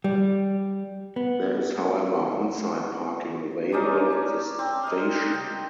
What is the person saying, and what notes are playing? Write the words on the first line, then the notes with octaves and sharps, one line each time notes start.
There is however onsite parking available at the station.
G3
B3
C#4 D#4 D5 A#5
D4
C4
A#4 D#5
G5